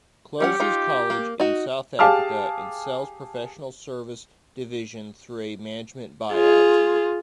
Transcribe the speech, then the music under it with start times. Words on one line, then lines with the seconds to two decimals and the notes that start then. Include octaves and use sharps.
Closes College in South Africa and sells Professional Service division through a Management Buy-out.
0.40 G3 C#4 G4 F#5
0.60 D#4 F4
1.10 A#3
1.40 D#4 F#4
1.99 G4 G#4 F5 A5 D6 F6
6.33 F4 G#4